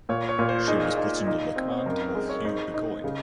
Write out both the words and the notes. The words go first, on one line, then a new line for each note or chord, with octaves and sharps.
She was put under the command of Hugh Burgoyne.
A#2 C#5
C#5
A#2
C5
D#4 G#4
D#4
D#4
C4
C#5
C5
F#2 A#4
A#4
G#3
C#5
D#4 C5
D#4
C#3